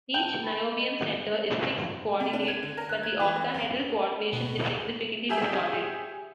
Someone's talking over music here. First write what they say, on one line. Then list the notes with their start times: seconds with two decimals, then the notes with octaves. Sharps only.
Each niobium centre is six-coordinate, but the octahedral coordination is significantly distorted.
0.14 G5 A5
0.42 B5
0.78 D#5
2.20 C3
2.33 D4
2.48 G#6
2.63 D3
2.77 A#4
2.89 F#6
3.03 G#6
3.20 E3
3.36 C4
3.54 F#1
4.33 B2
5.29 G4 G#4 E5 G#5